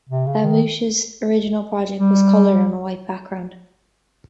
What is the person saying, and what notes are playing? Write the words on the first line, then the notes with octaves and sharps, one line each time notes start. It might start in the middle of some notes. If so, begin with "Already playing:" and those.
Lamouche's original project was coloured on a white background.
C3
C#3
D#3
G3